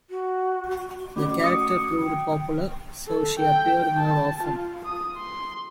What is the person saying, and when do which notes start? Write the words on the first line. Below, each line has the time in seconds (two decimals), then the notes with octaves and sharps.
The character proved popular, so she appeared more often.
0.10 F#4
1.16 A3 C#4 F#4 D6
1.44 D#6 C#7
2.02 G5
3.07 A4
3.39 G5
3.98 A5
4.43 F4
4.85 D#6
5.17 C6